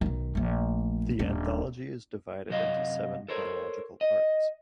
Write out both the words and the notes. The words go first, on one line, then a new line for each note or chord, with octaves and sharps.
The anthology is divided into seven chronological parts.
B1 D#3
A#1 A3
D#1 D4
F#2 C3 F#3 D#5 F5
A4 A#4 C5 C#5
D#5